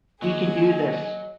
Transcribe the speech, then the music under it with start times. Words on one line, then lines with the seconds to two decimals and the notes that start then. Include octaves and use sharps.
We can do this.
0.22 D#2 F#3 G#4 D#5 G#5